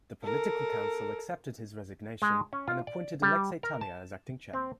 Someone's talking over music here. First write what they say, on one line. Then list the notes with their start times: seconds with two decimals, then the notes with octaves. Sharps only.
The political council accepted his resignation and appointed Aleksei Tania as acting Chairman.
0.24 A4 A#4
2.22 G#3
2.53 C#4
2.68 F4
2.87 D5
3.22 G3
3.63 A#4
3.81 A5
4.53 C4